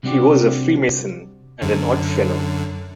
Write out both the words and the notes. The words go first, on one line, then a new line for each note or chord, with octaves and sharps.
He was a Freemason and an Oddfellow.
C3 G3 C4 D4 F#4 G4
F#2 D3